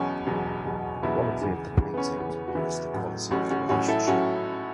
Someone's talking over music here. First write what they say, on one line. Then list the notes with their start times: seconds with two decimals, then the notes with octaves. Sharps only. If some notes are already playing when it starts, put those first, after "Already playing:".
The quality of the paintings mirrors the quality of the relationship.
Already playing: E1 E2 B2 F#3 C#4
0.26 E1 E2 B2 F#3
0.65 E1 E2 B2 F#3
1.02 E1 E2 B2 F#3 B3 E4
1.22 B3
1.41 E2 C#3 E3
1.79 E2 C#3 E3
1.94 B3
1.97 C#4
2.16 E2 C#3 E3
2.48 F#4
2.55 E2 C#3 E3 B3 E4
2.93 A1 A2 F#3
3.31 A1 A2 F#3 C#4 F#4
3.50 C#4 F#4
3.69 A1 A2 F#3 C#4 F#4
3.88 E4 A4
4.07 A2 F#3 C#4 F#4